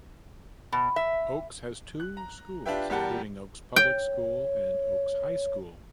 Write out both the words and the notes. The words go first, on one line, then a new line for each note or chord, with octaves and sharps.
Oakes has two schools, including Oakes Public School and Oakes High School.
B2
E5
F#6
A#5
D4 F4 G4 B4 E5 G5
E2 G3 G4 A#4 F#5 A5
C#5 G5